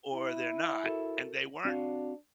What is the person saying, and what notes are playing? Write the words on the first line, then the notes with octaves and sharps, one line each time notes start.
or they're not and they weren't.
E4
F#4 A4 A#4
C4 D4 F#4 F5